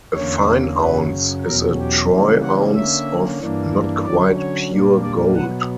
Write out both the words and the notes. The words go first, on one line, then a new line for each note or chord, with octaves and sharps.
A fine ounce is a Troy ounce of not quite pure gold.
E2 D3 A#3 C#4 C#5
F#2 C#3 F#3 C#4 B4
E2 B2 F#3 C#4 A#4
G4
C#3 E3 G3 A#3 C#4
F#5
D3 A#3 C#4 E5
G2 E3 A#3 D4
D3 F#3 C#4 D5
C#5
A#2 G3 A#3 D4
D5
B2 F#3 B3 F#5